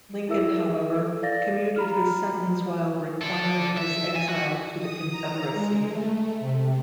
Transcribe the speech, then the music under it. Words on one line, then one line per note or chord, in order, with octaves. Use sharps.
Lincoln, however, commuted his sentence while requiring his exile to the Confederacy.
E4 G#4 A#4 E5 E6
A4
D5 F5 A6 A#6
A#5 B5 F6
A4 D5
E5
G#5
F#4
D#6
A#5
G#3
A3
C3